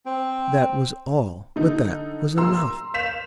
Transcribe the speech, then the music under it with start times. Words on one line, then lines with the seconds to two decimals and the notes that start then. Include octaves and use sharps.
That was all, but that was enough.
0.06 C4
1.56 D3 D#4
2.38 A#5 C6 E6
2.94 F5 G6 B6 E7 F7